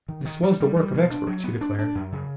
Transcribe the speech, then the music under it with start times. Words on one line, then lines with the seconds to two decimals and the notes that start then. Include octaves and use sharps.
"This was the work of experts," he declared.
0.08 D#3
0.25 D#3
0.43 G3
0.60 G3
0.76 G3
0.93 B2
1.11 D4
1.27 F#3
1.44 B3
1.61 D4
1.79 D4
1.95 F#2
2.12 C#3